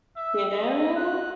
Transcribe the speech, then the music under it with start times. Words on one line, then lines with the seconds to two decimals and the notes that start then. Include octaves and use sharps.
You know?
0.17 E5
0.50 D#5
0.96 F#6